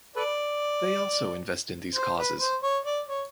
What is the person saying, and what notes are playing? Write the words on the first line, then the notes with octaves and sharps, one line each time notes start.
They also invest in these causes.
A4 B4 D5
C5
B4
C5
C#5
D5
C#5